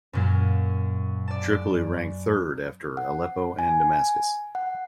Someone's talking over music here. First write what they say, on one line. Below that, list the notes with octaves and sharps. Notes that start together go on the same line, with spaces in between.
Tripoli ranked third after Aleppo and Damascus.
F#2 A#2 F#3
D5 A5
F#5
G#5
F#5